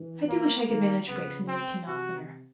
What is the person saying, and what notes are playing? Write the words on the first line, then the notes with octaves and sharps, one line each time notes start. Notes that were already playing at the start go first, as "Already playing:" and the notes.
I do wish I could manage breaks in the routine oftener.
Already playing: E3
A#3
D#3 A#3
C#3 B3
C4
C3 F#4